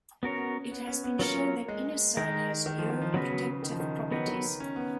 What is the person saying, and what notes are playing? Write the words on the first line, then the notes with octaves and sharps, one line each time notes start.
It has been shown that inosine has neuroprotective properties.
B3 C#4 F#4 A#4 C#5
B3
C#4
B3
F#3 A#3 C#4 F4 A#4 C#5
G#3
D#3 G#3 D#4 A#4
D#3
F3
D#3
F3
C#3 F#3 B3 F#4 B4
D#3
F3
D#3
D#3 F#3 B3 F#4 B4
D#3
C#4
B3